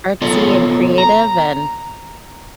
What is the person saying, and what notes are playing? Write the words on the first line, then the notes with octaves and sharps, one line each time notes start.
artsy and creative, and,
B3 F4 A4 C#5 D#5
A#5